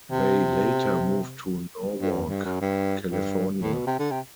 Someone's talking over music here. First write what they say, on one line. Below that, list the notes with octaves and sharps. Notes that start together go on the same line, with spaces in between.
They later moved to Norwalk, California.
C3
G2
F#2
G2
F#2
G2
G2
A2
B2
C3
D3
C3